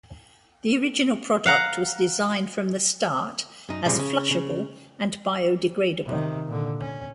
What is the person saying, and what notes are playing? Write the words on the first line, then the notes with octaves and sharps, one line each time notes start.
The original product was designed from the start as flushable and biodegradeable.
F5 F#5 A#5
F#2 D#4
C2 A#2 C#3 F3 G3 G#3
C#3
C#3
C3 D#3
A#2 D3
C#4